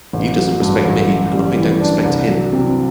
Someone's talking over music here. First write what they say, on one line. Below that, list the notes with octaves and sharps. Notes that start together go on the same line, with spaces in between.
He doesn't respect me and I don't respect him.
A1
F#3
G2
A1
F#2
G3
E3
D4
C2
F#3
C3